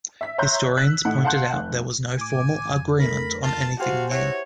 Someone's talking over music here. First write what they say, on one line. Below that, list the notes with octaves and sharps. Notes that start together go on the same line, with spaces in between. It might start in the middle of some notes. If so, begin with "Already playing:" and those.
Historians pointed out there was no formal agreement on anything new.
E5 B6
C#5 E5 A#5 C6 F#6 G6
E6 F#6 B6
A2 D#4 F#5
F5 F#5 A5 C6 F#6 G6
F1
A2 G#5 D6
F2
F2 D3 A3 A#4 B5 A#6
F4 A5
F#4 G4 C5 F5 G5 G#5 C6 A6
E4 F#4 C#5 E5 F#5